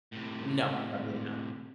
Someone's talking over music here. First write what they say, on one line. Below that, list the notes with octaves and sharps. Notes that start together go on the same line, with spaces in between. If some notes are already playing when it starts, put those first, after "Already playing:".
No. Probably
A2 C3